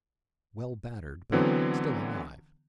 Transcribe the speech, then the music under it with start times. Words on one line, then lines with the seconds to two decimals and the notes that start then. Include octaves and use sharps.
Well battered, but still alive.
1.32 D3 E3 F#3 B3 C4